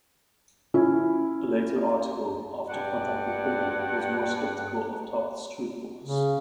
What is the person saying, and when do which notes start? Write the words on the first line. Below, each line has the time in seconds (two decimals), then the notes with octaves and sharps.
A later article, after contact with Brennan, was more skeptical of Toth's truthfulness.
0.74 C#4 E4
2.69 G2 D5 F#5
6.04 C#3